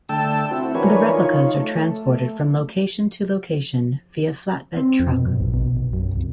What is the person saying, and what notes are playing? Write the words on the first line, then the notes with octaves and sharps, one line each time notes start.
The replicas are transported from location to location via flatbed truck.
D3 A3 G5 A5 E6
C4 E4 F#4
E3 D4 A#4 B4 C#5 G#5
D#4 F4 C#5
A3
C4
F2
B2
F#2
A#1
B2
B1
F#2
C2